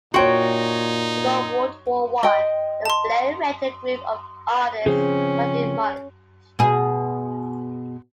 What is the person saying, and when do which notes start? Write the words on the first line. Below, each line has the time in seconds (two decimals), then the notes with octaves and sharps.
Before World War One, the Blaue Reiter group of artists worked in Munich.
0.14 A#2 D#4 F#4 C#5 G5 C6
2.23 D#5 G5
2.85 A5 C6
4.86 C#3 F3 C4 C#4 G#4
6.59 B2 G#4